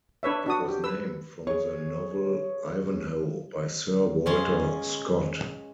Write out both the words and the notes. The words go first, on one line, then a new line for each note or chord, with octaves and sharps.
It was named from the novel "Ivanhoe" by Sir Walter Scott.
D4 B4 C#5 E5
D4 F#4 D#6
G4
B4 E6
G#4 C#5
G#3 C#4 F4